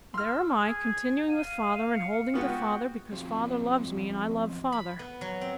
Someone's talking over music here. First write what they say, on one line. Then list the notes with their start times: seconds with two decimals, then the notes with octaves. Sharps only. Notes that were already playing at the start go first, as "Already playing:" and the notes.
There am I, continuing with father and holding to father, because father loves me and I love father.
0.14 C6 E6 F6
0.62 G#4 G#6
1.29 F5 D#7
1.94 C#7
2.34 G#3 B3 F4 F#4 G5
3.12 F3 C4 C#4 F4 F#4 G#4
4.72 B5
4.99 B3
5.21 F#3
5.41 C4